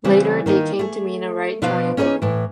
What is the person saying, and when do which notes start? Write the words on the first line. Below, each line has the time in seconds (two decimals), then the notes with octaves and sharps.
Later, they came to mean a right triangle.
0.04 C#3 E3 G3 C4
0.46 D#3 A#3 D#4
0.79 A3 G#4
1.62 B2 F3 D4 F4 B4 F5
1.97 C#4 D#4 G#4 C5 C#5
2.22 A2 E3